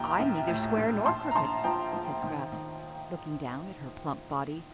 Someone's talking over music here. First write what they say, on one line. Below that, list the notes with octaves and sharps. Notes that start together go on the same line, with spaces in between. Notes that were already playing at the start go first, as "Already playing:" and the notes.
"I am neither square nor crooked," said Scraps, looking down at her plump body.
Already playing: A#1 D#2 G5 A#5
A#1
A2
A#1
A#1 A5 C6
A#5
A#1 A5 C6
F3 G5 A#5
F3
D#3
D#3